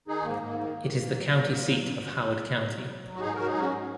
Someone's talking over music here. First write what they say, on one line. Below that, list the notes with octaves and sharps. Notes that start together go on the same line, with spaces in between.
It is the county seat of Howard County.
D#3 D#4 G#4
G#2 A#3
G#2 A#3
D#3 A#3
D#3
G#2
F#3
F#3
G#2
F#3
G#2
G#2
G#2
G#2
G#2
F#3
F#3
F#3
F#4
G#2 D#4 G#4
F#3 F#4 A#4
D#4 G#4
G#2 C#4 F#4
G#2